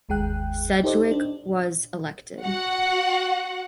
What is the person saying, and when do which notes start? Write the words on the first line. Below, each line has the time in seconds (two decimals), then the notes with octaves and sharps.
Sedgwick was elected.
0.09 G1 D#2 G#3 G#4 G5 F#6
0.83 D#4 G4 A4 C5 D5 D#5
1.11 D4
2.43 F#4 F#5